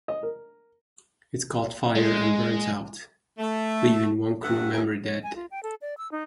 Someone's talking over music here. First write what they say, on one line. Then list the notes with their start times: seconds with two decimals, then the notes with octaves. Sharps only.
It caught fire and burned out, leaving one crew member dead.
0.08 D#5
0.23 A#4
1.95 G#3
3.38 A3
4.42 G2 C3 A3 E5 F#5
4.73 D#2 G#3 A4 A#4 C#5 E5
5.04 C#5
5.23 G#5
5.36 F4
5.51 G5
5.63 A4
5.81 D5
5.98 E6
6.12 D#4